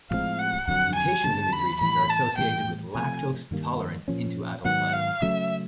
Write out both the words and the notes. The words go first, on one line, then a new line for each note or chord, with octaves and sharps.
Mutations in these regions are associated with lactose tolerance into adult life.
A2 F3 G#3 C4 F5
F#5
F2 D3 F#3 F#5
G#5
D3 G3 B3 A5
B5
A2 E3 G3 B5
A5
A2 E3 G3 B3 G5
C3 F3 A3 G#5
G2 D#3 G3 A#3
A#2 F3 A#3 C#4
G#2 D#3 F#3 B3 F#5
F5
C#3 F#3 A3 C#4 E5